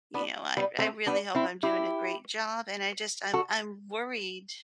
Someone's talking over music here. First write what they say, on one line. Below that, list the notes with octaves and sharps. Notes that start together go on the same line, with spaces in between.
you know, I I really hope I'm doing a great job, and I just I'm I'm worried
B3 D4
G3 B3
A3 C4
B3 D4
C4 E4
E4 G4
F#4 A4